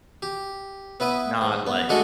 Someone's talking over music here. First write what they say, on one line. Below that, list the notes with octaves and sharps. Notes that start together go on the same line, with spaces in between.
not, like,
G4
B3 E4 B4 D#6
G#2
B3
D3 G#3 A3 F#4 A4 D#5